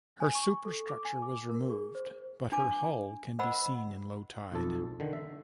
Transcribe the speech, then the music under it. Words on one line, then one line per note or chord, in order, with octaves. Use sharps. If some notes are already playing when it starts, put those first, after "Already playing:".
Her superstructure was removed but her hull can be seen in low tide.
G#5
C#6
A4
D6
G#5
D6
A#4
G#4
C5
D4 G#5 D6
A#4 C5 D#5 F#5 B5 E6
B1 F2 A4
D3 D#3
E5